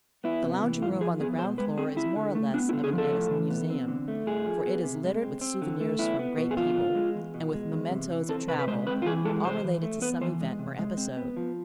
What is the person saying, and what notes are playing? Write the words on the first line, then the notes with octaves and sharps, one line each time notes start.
The lounging-room on the ground floor is more or less of an Edison museum, for it is littered with souvenirs from great people, and with mementos of travel, all related to some event or episode.
B3 E4
C3
E3
G#2 F4
F3 G#4
B3 G#4
B2 C5
G#3 B4
C4 G#4
C4 E4
D3
A3
B3 D4
E4
D3
G#4
F3
A4
A2
E3
B3
C4
D3
A3
A2 G#4
F3
B3
C3
G#3
C4
C4
D3
A3
B3 E4
B3
B2
G#4
F2 F4
D3
G#3
E2
B2
G#3
E2
C3
E3
C4 A4
C3 B4
B4
G#3 C5
C4 B4
F4
E3 G#4
G#3 A4
C3 C5
E3
A3
B3 B4
E3 C5
G#3
C3
G#3
C4
B3
F3